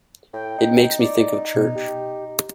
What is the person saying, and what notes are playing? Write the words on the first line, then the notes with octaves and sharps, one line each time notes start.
It makes me think of church.
A2 G5
D#4
D5
B2
G4